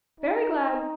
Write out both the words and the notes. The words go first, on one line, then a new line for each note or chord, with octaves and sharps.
Very glad!
D#4